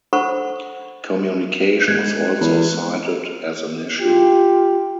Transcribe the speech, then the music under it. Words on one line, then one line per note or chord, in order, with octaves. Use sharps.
Communication was also cited as an issue.
A4 C5 F#5 B5 C#6
G#3 F#6 G#6
E2
F4 G4